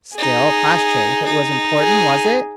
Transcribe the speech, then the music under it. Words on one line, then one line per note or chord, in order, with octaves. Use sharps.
"Still, Crossjay, if it was important--was it?"
D#4 G#4
D#4
G#4